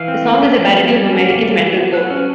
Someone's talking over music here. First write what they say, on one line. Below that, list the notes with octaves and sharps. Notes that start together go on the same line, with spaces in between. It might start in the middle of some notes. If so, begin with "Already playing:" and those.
The song is a parody of American metalcore.
Already playing: E3 F5
C4
A3
A3
F3
C4
G3
C#4
A#3
G3
E3
B3
F#3 F#5
C#4